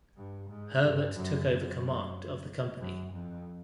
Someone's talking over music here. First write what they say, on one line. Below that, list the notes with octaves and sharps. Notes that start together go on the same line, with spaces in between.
Herbert took over command of the company.
G2
G#2
G2
F#2
F#2
F#2
F2